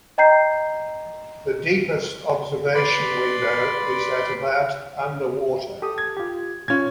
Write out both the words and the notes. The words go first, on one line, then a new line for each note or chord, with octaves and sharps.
The deepest observation window is at about underwater.
D#5 G5 A#5 G6 C7
B4 D5 B5 C6
G4 A4 D#6
G#6
F4 G4
A#2 C#4 F4 G#6